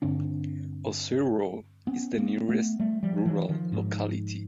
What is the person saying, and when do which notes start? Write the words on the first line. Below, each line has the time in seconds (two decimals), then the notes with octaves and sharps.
Ozero is the nearest rural locality.
0.02 G2 D3 C4 D4
1.87 B3 C#4
2.18 A#3 C4
2.49 A3 B3
2.79 G3 A3
3.03 F3 G3
3.26 E3 F#3
3.49 D#3 F3
3.72 G#2